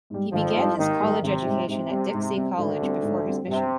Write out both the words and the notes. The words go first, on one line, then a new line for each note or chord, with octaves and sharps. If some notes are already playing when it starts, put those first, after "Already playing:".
He began his college education at Dixie College before his mission.
G#2 G3
G#1 F2 F3
G#2 G3
G#1 D#2 D#3
G#2 G3
G#1 C3
G#2 G3
G#2 C3
G3 C4
G#2
G3 C4
D2 G#2 D3
G3 C4
G#2
G3 C4
G2 C3